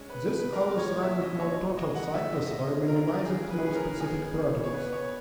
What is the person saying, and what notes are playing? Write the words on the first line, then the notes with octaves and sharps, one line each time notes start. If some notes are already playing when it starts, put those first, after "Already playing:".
This allows running more total cycles while minimizing non-specific products.
Already playing: G#3 C#4
B4
B2 B4
A#4
B2
C#5
A#2 E5
D#5
A#2 C#5
G#3 D#5
F#5
A#2 E5
D#5
C#3 D#5
C#3 A#4
A#4
G#3 G#4
B4
C#4 G#4
A#4
B3 G#4
C#3
C#5
B3 B4
C#5